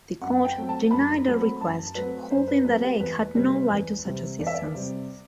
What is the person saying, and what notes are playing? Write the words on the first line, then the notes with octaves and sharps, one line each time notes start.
The court denied the request, holding that Ake had no right to such assistance.
F#2 F#5
G5
F#3 A3 C4
A5
F#2 B5
F#3 A3 C4
F#2 A5
F#3 A3 C4 B4
F#2 C5
B4
F#3 A3 C4 B4
G4
E2 B4
C3 G3 C4
E2
C3 G3 C4
E2 D5
E5
D5
C3 G3 C4